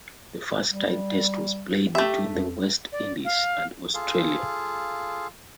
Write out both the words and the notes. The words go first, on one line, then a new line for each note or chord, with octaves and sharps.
The first tied Test was played between the West Indies and Australia.
G3
A3 G4 E5
F2
D5
F5
F4 G#4 A4 F5